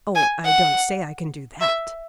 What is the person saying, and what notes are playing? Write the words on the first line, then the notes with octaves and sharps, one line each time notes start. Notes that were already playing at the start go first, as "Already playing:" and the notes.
"Oh, I don't say I can do that."
G#5
F#5
E5